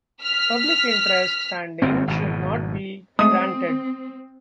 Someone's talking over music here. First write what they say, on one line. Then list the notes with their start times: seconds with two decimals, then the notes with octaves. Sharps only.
Public interest standing should not be granted.
0.23 F6 B6
1.82 G1 F#2 C4
2.08 G#1 B2
3.19 G#3 A3 C4 D#6